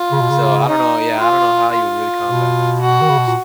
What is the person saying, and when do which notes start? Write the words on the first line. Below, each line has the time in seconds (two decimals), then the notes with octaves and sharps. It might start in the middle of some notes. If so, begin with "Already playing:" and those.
So, I don't know yeah, I don't know how you would really combat that, to be honest.
Already playing: F4
0.11 C#3
0.21 B2
0.30 C#3
0.65 D#4
1.20 F4
1.73 F4
2.27 B2
2.81 F#4
3.01 D#3
3.09 C#3
3.18 B2
3.27 A#2